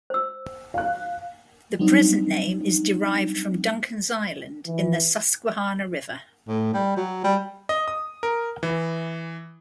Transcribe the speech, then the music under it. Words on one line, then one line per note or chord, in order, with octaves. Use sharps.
The present name is derived from Duncan's Island in the Susquehanna River.
C5 E6
F5 F#6
F#3 G3 C4 D4 D#4
E3
A2
G3
F#3
G3
D#5
D#6
A#4
E3